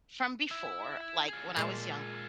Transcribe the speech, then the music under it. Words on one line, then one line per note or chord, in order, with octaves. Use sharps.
from before, like, when I was younger,
E4 E5
F4 G#4
A#2 G#3 A5